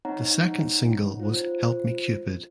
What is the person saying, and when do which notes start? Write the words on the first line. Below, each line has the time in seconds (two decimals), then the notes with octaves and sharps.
The second single was "Help Me Cupid".
0.05 C4 D#4 C#5 F#5 A#5
1.20 F4 C5